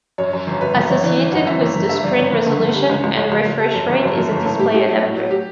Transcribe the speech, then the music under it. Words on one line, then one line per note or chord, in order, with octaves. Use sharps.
Associated with the screen resolution and refresh rate is a display adapter.
F#2 C#5
F#2
G1
F#2 B4
G1
G1 C#5
E3 D5
G1
F#2 F#5
E3 E5
G1
G1
G2 E5
G1 D5
G1 C#5
G1 B4
D3
G1
G3
C#2
C#2
C#2 C#5
C#2
C#2
G3 A4
F#2
G1
F#2
F#2
G1
A2 A4
A2 G4
A3 G4
F#3
A2
F#3
G4